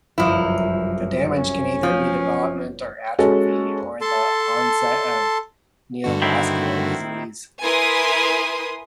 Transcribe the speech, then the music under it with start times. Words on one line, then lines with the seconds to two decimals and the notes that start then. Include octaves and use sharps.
The damage can either be development of atrophy or the onset of neovascular disease.
0.18 G1 C2 F#2 F3 E4
1.32 C#4
1.83 F3 B3 C#5 G6
3.19 G#3 C#4 F#4 A4
4.01 A4 A5 C6
6.04 G2 D3 F#4
6.22 D#3 C4 E4
7.63 E4 A#4 B4 G#5 C6 D#6